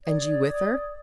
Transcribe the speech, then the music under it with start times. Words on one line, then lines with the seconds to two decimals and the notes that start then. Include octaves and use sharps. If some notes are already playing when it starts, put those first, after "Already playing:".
"And you with her?"
0.06 D5 D#6 G#6